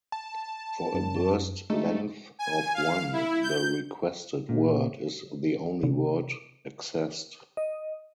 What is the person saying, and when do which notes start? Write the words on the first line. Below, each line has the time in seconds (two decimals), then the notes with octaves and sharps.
For a burst length of one, the requested word is the only word accessed.
0.12 A5
0.94 F#2
1.70 G#3 A3 D#4
2.39 G#5
2.74 F5
3.13 E4
3.42 G6
4.49 A#2
5.83 C3
7.57 D#5